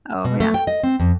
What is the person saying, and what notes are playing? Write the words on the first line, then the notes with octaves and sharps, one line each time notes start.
Oh, yeah.
B2
A3
G5
D#5
C4
F2